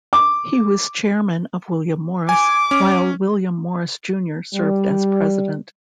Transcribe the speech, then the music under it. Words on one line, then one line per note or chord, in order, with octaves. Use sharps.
He was Chairman of William Morris while William Morris Junior served as President.
D6
G#5 D6
C#4
G3